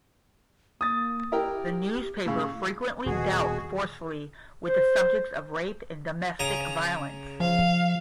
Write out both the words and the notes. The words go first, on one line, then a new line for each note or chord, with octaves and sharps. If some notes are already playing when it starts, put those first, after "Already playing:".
The newspaper frequently dealt forcefully with the subjects of rape and domestic violence.
A#3 D#6 A6
E4 G4 A#4 G5
A2 C#3
D#1 B2 F#4 G#4
C5
C#3 A#5 D#6
F3 F5